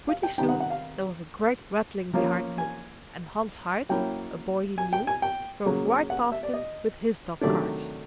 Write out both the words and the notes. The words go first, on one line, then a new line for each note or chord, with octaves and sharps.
But pretty soon there was a great rattling behind him; and Hans Hite, a boy he knew, drove right past him with his dog cart!
F5
G5
C3 D#3 G3 B3 D#4 G5
F#5
F#5
F5
F3 A#3 C#4 F4
G#5
F#3 A#3 C#4 E4 G5
G#5
G5
G#5
G5
C#3 F#3 A#3
F#5
E5
D5
D#5
C3 D#3 F#3 A3 D4 D5